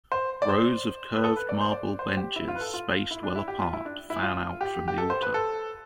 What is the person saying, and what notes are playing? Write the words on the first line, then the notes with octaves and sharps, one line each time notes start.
Rows of curved marble benches, spaced well apart, fan out from the altar.
C5
D5
C5
B4
A4
B4
D5
C5
D5
C5
G4
E4
F4
B4
A4
F4
E4
D4
E4
G4
F4
E4
D4
E4
F4
G4
G4
A4
C5
B4
A4